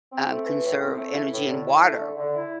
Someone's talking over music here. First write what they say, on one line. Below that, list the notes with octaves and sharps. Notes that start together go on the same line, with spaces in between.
um, conserve energy and water,
C4
A3
E3
A2
C4
A3
E3
A2
D3
E4
A3
D3
D3
E4